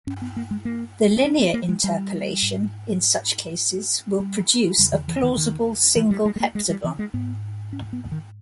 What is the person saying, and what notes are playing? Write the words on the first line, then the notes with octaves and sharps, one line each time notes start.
The linear interpolation in such cases will produce a plausible single heptagon.
G2 C#4
B3
A#3
G#3
A#3
B3
C#4
B3
A#3
G#3
G3
G#2
G3
E2 C#3 G3
D#3
E3
D#3
D#3
E3
G3
G#3
G#3
A#3
G#3
G3
E3
G#3
G#2 B3
C#4
B3
D#3